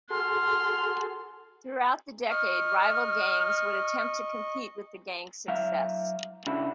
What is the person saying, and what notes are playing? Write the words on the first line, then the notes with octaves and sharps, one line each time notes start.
Throughout the decade, rival gangs would attempt to compete with the gang's success.
F#4 G#4 A4 C6 F6
D#5 C#6 F6
F#3 E5 F5
C#3 D4 E4 F#4